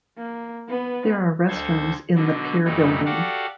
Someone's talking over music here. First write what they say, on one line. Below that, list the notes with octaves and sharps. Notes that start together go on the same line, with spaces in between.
There are restrooms in the pier building.
A#3
B3 B4
D2 A4 C5 G#6
B2 D3 F#3 D4
F#2 A#2 G3 A3 D#4 E4
F#4 G4 A4 D5 F5 F#5